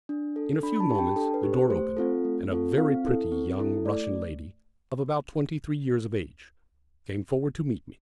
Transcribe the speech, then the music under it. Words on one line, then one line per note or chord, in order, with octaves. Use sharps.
In a few moments the door opened, and a very pretty young Russian lady of about twenty-three years of age came forward to meet me.
D4
A4
D4 B5
B5
A5
G4
A5
G5
D4 A4
B4
G4
C5
A3 C5
C4 F4 A4
A3
C4 F4 A4
C4 F5
E4 A4
C4
E4 A4
A3 D5